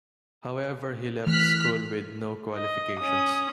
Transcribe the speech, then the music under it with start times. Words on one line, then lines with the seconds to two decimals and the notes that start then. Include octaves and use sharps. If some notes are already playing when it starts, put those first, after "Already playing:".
However, he left school with no qualifications.
1.26 E3 A3 F6 F#6 B6
2.55 D#5
2.99 C#4 D#6